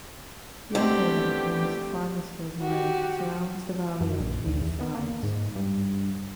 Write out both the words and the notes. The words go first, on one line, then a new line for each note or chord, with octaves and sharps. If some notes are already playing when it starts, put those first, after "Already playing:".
One moraine known as the Farmersville moraine surrounds the valley on three sides.
D3 A3 B3 C4 G4
F#4 G4
F#2
A#1
D2
E2
B3
A#3
G#2
G2